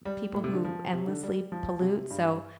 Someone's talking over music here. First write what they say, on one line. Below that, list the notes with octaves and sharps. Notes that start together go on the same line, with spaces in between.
people who endlessly pollute, so
G3
A2
C3
D3
F3
C3
D3
G3
F3
C3
G2